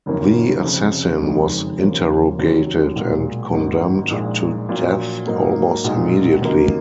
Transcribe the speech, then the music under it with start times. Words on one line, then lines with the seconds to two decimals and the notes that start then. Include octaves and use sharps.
The assassin was interrogated and condemned to death almost immediately.
0.06 F#1 F#2 D#3 A#3 C#4
0.64 F1 F2 C#3
1.22 F#1 F2 D#3 G#3
1.80 D#2 C#3 F3 A#3 C#4
2.38 F1 D#2 D#3 F#3 C#4
2.95 B1 A#2 G#3
3.52 G#1 F#2 D#3 A#3 D#4
4.11 A#1 A#2 G#3 D#4
4.69 A#1 A#2 F#3
5.26 G#2 F#3 A#3 D#4
5.84 B1 A#2 G#3 D#4
6.42 D#2 C#3 F#3 A#3 D#4